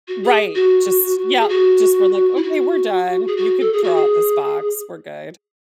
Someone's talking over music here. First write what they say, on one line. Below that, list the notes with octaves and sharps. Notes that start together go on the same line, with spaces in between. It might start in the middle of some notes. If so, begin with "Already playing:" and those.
Right, just Yep. Just for, like, "Okay, we're done. You could throw out this box. We're good."
F#4
G#4
F#4
G#4
F#4
E4
F#4
G#4
F#4
A4
G#4
F#4
G#4